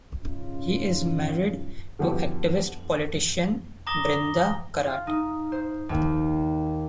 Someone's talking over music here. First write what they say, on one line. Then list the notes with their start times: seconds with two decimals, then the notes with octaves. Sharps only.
He is married to activist-politician Brinda Karat.
0.20 G#2 C#3 C#4 D#4 F4
1.99 D3 E3 F3 B3 F#4 G4
3.87 A#5 D6 D#6 A#6 G7
4.86 F4
5.07 D#4
5.52 C5
5.89 D#2